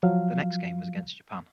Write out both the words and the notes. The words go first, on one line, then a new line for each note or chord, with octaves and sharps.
The next game was against Japan.
F3 F#3 F5